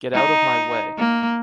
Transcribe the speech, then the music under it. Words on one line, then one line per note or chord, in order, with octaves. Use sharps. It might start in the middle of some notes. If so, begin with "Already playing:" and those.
Get out of my way.
D#4
A#3